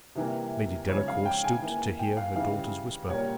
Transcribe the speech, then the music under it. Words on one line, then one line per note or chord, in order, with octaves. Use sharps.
Lady Delacour stooped to hear her daughter's whisper.
C3 E3 G3 A#3
C#3 F3 G#3 C#5
F5
G5
G#5
E3 A#3
G5
F5
C#3 E3 G3 F5
A#2 G3 A#3 C#5